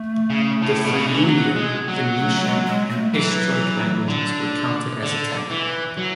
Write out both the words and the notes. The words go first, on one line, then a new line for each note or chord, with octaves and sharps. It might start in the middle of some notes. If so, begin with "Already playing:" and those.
The Friulian, Venetian and Istriot languages were counted as Italian.
Already playing: A3
C#3
A2
B2
C#3
D3
E3
F#3
G#3
F#3
A3
A3
G#3
G#3
A3
E3 F#3
D3
D3
E3
F#3